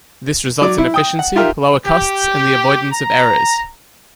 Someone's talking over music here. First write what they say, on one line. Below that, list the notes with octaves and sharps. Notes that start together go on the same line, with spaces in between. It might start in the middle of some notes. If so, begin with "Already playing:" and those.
This results in efficiency, lower costs, and the avoidance of errors.
F#3 D5 D6
E4
G5 D#6
F#5
D#4 F4 G4 A#4 E5
G4
A#5